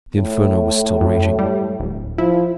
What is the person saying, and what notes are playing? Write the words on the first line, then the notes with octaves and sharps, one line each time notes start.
The inferno was still raging.
A2
F#2
G3
D1
F3 E4